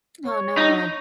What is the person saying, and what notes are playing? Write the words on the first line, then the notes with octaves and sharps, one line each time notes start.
Oh no.
C#5
D#4